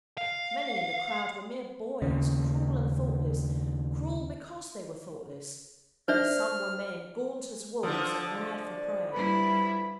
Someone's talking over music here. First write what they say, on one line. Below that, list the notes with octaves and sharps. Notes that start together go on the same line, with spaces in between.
Many in the crowd were mere boys; cruel and thoughtless,--cruel because they were thoughtless; some were men, gaunt as wolves, and mad for prey.
F5
D#2 C#3
D4 C5 D5 E5 F6
D3 F3 E6
D5
G3 E4 B4 B5